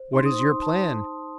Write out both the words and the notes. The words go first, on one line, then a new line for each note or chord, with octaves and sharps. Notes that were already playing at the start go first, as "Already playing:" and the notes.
"What is your plan?"
Already playing: C5
D#4 C6
D#6
C5
C6
D#4
A5